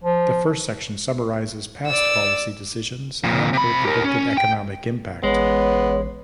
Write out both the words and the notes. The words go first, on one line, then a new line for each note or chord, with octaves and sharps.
The first section summarizes past policy decisions and their predicted economic impact.
F3
D5 E6
F2 A#2
C3 B5
G4 A#4
C#4
G5
A1 G#3 B3 C#5